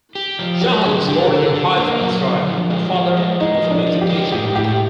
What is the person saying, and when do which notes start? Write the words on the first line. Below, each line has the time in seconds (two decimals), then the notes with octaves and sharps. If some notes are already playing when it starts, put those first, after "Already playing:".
Shaham was born in Haifa, Israel; her father was a music teacher.
0.15 G4
0.39 F3
0.61 F#3 G4
0.85 D3 G#4
1.08 D3 G4
1.22 A#4
1.31 D3 A4
1.54 D3
1.78 A#3
2.01 F#3
2.24 D3
2.47 F3
2.70 G#3
2.93 F3
3.17 G#3
3.40 G#3 D#4
3.63 F3
3.70 D4
3.86 F3
4.01 G4
4.09 G#3
4.32 A2 G4
4.56 A2 G4